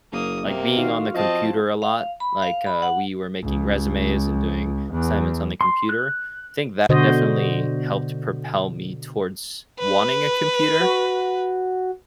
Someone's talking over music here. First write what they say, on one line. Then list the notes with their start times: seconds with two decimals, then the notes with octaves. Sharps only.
like, being on the computer a lot, like, uh, we were making resumes and doing assignments on the computer, think that definitely helped propel me towards wanting a computer
0.12 F#1 A#3 D#6
0.46 C3 A#3
0.77 D#3 F4 F#4 F5
1.14 F3 C4 D#5 A5
1.82 F5
2.20 B5
2.42 F5
2.67 B5
2.82 F#5
3.43 C#2
4.91 E2
5.61 C6
5.89 F#6
6.89 B2 D3 F#4 C5 D#5
9.79 B4
10.80 F#4